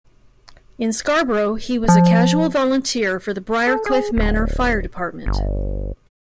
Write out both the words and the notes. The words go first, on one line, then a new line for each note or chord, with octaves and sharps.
In Scarborough, he was a casual volunteer for the Briarcliff Manor Fire Department.
F3
A4
G#4
D1
G1